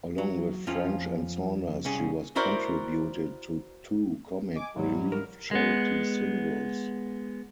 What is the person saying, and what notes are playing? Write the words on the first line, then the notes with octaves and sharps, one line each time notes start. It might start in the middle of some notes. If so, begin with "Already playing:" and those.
Along with French and Saunders, she has contributed to two Comic Relief charity singles.
F#3
F2 F3 C#4 F4
C2 C#4 G#4
E4 F#4 A#4 C5 D5
D#5 G#5 D6
G#2 E3 F#3 G3
A#4
G#3 B3